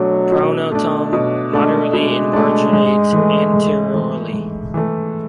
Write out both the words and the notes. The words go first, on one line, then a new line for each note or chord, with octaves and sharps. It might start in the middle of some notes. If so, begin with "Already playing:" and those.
Pronotum moderately emarginate anteriorly.
Already playing: B2 F#3 A3 D4
B2
A3 D4
B2 F#3
G#3 A3 D4
B2 G#3
A3 D4
G#2
E3 A3
G#2
E3 A3
G#2
E3 A3